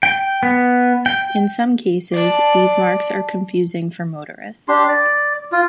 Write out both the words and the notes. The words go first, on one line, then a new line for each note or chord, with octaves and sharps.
In some cases, these marks are confusing for motorists.
G5
B3
G5
D4 D5 A5
D4 G4 C6
D5
F4